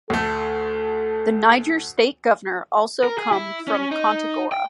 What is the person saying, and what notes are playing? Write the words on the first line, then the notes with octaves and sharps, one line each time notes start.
The Niger state governor also come from Kontagora.
D2 A3 A4
A#4
G#4
E4
C#4
D#4
G5